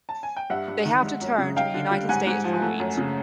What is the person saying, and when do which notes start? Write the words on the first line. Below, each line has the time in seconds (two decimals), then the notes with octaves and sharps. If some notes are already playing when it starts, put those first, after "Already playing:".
They have to turn to the United States for wheat.
0.09 A5
0.23 G#5
0.37 G5
0.50 G2 E5 F#5
0.68 G2
0.85 D#3
1.02 G#3
1.21 F#2
1.38 C#3
1.56 D#4 F5 G5
1.74 D3
1.91 G3
2.09 G#2 F#5 G#5
2.27 G#2
2.44 F3
2.62 A3
2.80 F#2
2.98 C#3